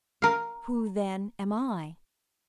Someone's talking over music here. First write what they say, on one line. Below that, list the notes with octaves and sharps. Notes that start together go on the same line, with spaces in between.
"Who, then, am I?"
A#4 F5